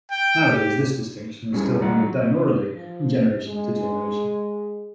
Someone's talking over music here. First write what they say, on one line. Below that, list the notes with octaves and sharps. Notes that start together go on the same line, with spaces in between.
Nowadays this distinction is still handed down orally from generation to generation.
G5
G4
F#3 G3 C#4 D#4 E4 G#4
G3 F4 D#5 F#5 A#5
F#3
F3
G#3